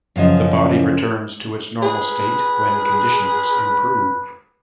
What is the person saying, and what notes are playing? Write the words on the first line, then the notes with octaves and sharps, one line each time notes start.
The body returns to its normal state when conditions improve.
F#2 C#3 F3 D#5
G#4 B4